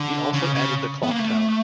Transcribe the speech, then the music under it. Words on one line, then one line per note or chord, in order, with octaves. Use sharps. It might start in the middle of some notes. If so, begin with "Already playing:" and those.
He also added the clock tower.
Already playing: D3
C#3
C#3
B3
A#3
A3